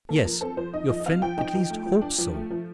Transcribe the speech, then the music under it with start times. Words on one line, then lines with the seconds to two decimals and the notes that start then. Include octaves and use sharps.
"Yes--your friend at least hopes so."
0.09 A#3 A4
0.25 F3 A#4
0.41 C4 A4
0.57 F3 C5
0.73 D#4 D#5
0.89 F3 D#5
1.00 D#5
1.06 C4 F5
1.22 F3 G5
1.38 D#4 G5
1.54 F3
1.70 A3
1.86 F3
2.02 D4
2.18 F3
2.34 A3
2.50 F3